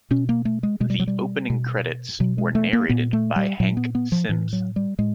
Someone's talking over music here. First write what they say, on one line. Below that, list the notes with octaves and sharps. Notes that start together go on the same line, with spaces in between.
The opening credits were narrated by Hank Simms.
B2 C#4
A#3
A3
G#3
B2 G#3
G3
F#3
G3
B2
B2 F#3
G#3
A3
A#3
A#2 B3
A3
G3
A#2 F#3
B3
B3
F3
A2 E3
F#3
G3
A2 G#3